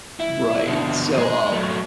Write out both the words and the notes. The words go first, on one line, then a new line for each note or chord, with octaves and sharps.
Right, so, um,
E4
B2 D3
G#3 D#5
F#3 A3